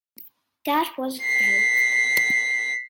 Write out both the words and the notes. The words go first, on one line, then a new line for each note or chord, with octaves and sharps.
That Was Then...
B6 C7